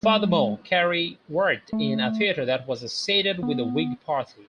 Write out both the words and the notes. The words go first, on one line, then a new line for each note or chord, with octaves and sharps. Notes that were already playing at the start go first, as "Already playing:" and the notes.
Furthermore, Carey worked in a theatre that was associated with the Whig party.
G#3
A3
B3